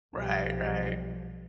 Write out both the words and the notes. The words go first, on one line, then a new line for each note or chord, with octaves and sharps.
Right, right.
B1 B2 F3 G3